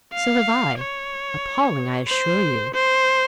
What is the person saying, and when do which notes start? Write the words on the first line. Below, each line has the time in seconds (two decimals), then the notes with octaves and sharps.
So have I. Appalling, I assure you.
0.13 F5
0.78 C#5
2.08 C5
2.74 C5